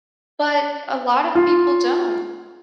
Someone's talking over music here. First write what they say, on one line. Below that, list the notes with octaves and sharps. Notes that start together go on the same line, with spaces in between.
But, a lot of people don't.
F4